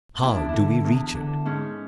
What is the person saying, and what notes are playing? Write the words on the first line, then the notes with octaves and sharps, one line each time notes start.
How do we reach it?
E2 E4
D4
D3 E4
E2
D3
G#2 C#4